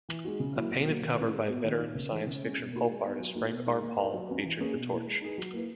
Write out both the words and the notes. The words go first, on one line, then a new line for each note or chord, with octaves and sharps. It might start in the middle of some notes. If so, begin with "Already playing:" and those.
A painted cover by veteran science-fiction pulp artist Frank R. Paul featured the Torch.
E3
G#3 D#4 F#4
C#3
F#3 A#3 E4
B2
F#3 A#3
D#3
G#3 C#4 E4 B4
G#3
B3 F#4
D#3
A#3 D#4
C#3
E3 G#3 D#4
C#3
G#3 C#4
B2
A#3 D#4 F#4 A#4
G#3
B3 D#4
F#3
A#3 D#4 F#4 A#4
B2
G#3 D#4
A#3
D#4 A#4
F#3
C#4 F#4 B4
E3
A#3 C#4 G#4 B4
B2
A#3 E4 B4
G#3
D#4 G#4 B4
F#3
A#3 E4 B4